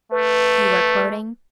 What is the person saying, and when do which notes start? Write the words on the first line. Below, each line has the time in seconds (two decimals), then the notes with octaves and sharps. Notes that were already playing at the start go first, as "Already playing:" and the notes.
"You are quoting?"
0.12 A3 B4